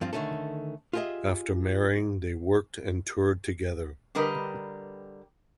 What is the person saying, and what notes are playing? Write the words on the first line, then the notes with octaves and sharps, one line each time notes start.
After marrying, they worked and toured together.
G2 F3 C4
D3 D#3 A3 C#4 A4
F4 G4 G#4 A#4 D#5 E5
D3 G3 G4 A#4 B4 D#5